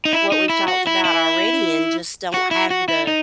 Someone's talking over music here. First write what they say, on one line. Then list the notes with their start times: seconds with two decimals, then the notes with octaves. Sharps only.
what we've talked about already and just don't have the
0.05 D#4
0.13 E4
0.32 D#4
0.50 E4
0.68 F#4
0.87 E4
1.05 E4
2.34 F#4
2.51 E4
2.71 F#4
2.88 E4
3.07 D#4